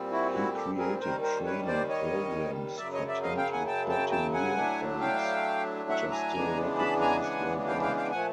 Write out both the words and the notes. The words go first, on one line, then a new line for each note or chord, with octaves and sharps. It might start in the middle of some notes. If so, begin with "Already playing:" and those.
He created training programs for ten to thirteen-year-olds which are still recognized worldwide.
Already playing: A#2 G3 C4
E4 F#4
E4 F#4
G4 A4
G#4 A#4
D#2 D#3 G3 A#4 C5
A#4 C5
B4 C#5
C5 D5
C#5 D#5
F#2 C#3 F#3 D5 E5
C#5 D#5
D5 E5
D#5 F5
F5 G5
F#5 G#5
G5 A5
G5 A5
G5 A5
F#5 G#5
A2 F#3 A3 D4
F5 G5
E5 F#5
G#5 A#5
C#3 E3 G#3 B3 D4
A5 B5
G#5 A#5
F#5 G#5
F5 G5
F5 G5
F5 G5
A#2 F3 A3 F#5 G#5